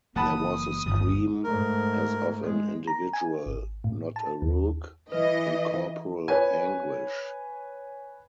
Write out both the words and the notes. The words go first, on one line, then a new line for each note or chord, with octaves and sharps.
There was a scream as of an individual — not a rook — in corporal anguish.
F#1 E3 A#3 F#5 A5 B5 D#6
G1 D#2 C#3 F3
G#2 A3 A#4
G#3
A#5
G#5
G#1
A2
A5
D#2
E3 B4 D#5
B4 C#5 G#5